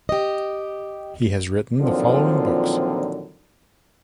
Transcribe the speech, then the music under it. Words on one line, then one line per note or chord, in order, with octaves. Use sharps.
He has written following books.
G4 D#5
A#2 D3 D#3 F3 F#3 C4